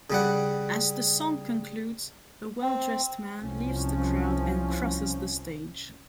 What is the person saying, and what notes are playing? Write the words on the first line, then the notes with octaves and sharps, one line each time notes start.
As the song concludes, a well-dressed man leaves the crowd and crosses the stage.
C#3 G3 F#5
C4
C2 F3 C#4